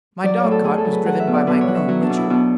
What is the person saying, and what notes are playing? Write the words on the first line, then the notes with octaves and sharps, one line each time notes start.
My dogcart was driven by my groom, Richard.
F#3 D5
C#5
A2
A4
A2 G#4
A4
F#3
B4
F#3 F#5
E5
B2
D5
B2 B4
C#5
F#3 F#5
E5
F#3 F#4
D4
B2
E4
B2 F#4